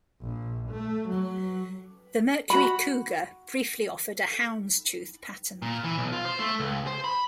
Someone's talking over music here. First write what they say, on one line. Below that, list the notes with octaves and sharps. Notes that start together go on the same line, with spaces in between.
The Mercury Cougar briefly offered a houndstooth pattern.
A#1
A3
F#3
F#4 B5
A#2
E3
B1
F4
C5
A3
C#2
C5
B5